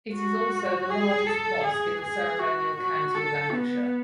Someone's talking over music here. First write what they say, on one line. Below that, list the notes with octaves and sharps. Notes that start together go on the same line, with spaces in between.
It is also the largest mosque in the ceremonial county of Lancashire.
F#4
G#4
A4
G#4
G#4
F#4
F#4
A4
B3